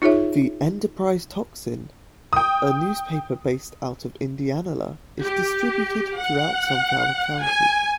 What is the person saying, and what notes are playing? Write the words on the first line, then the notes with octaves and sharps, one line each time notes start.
"The Enterprise-Tocsin", a newspaper based out of Indianola, is distributed throughout Sunflower County.
D#4 F4 G#4 C#5 E5
G5 D#6
G4
F#5
G#5